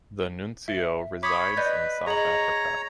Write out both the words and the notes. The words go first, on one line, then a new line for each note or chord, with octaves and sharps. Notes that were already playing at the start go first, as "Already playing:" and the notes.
The nuncio resides in South Africa.
E5
C#5 B5 D6 D#6
B4 D5 D#5 G6
G#4 C#5 D#5 A#5 F#7